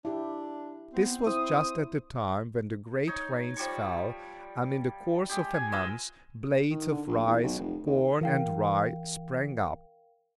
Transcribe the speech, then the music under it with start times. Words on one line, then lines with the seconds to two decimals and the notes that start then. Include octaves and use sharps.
This was just at the time when the great rains fell, and in the course of a month, blades of rice, corn, and rye, sprang up.
0.05 D4 E4 G4
0.93 B3 C4
1.27 E4 C5 D#6
3.07 D#4 C#5
3.57 F3 G3 D5 C#6
5.29 G#3 G4
5.54 G#5
5.72 F4 B4 D#5 E5
6.70 D#3
6.92 D3
7.07 A#1
7.27 E2
7.43 B1
7.59 F1
7.86 D#2
8.21 E3 A#4 F5 G5